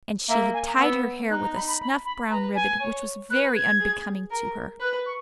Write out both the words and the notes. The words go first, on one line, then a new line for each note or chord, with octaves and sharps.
And she had tied her hair with a snuff-brown ribbon which was very unbecoming to her.
A#3 E5
G#5
A#5
B3 E6
D#4 F#6
A#5
B5
B5
B5
B5
B4 A#5
G#5
C#5
B4 F#6
G#6
G#4
A#4
B4 F#6
C#6